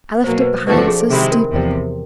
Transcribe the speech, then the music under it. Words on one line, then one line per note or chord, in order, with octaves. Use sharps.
I left it behind; so stupid!'
B2 F#3 A#3 C5
B4
C5
C3 F3 A3 D4 F#4 B4
A4
G#4
A4
C3 D#3 G#3 C4 E4 G#4
A#4
E2 C3 F3